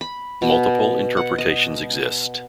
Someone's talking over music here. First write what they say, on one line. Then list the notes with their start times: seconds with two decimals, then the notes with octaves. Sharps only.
Multiple interpretations exist.
0.01 B5
0.42 B2
1.17 F#5
1.38 D#5